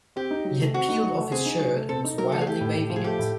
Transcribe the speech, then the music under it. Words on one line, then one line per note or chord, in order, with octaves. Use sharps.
He had peeled off his shirt and was wildly waving it.
C4 G4
D#4
F#3
A3
C4 F#4
D#4
F#3
A3
C4 G#4
D#4
F#3
A3
C4 A4
D#4
F#3 A#4
A3 A4
G#4
A3 G4
A2
A2
F3
G#4
A3 G4
A2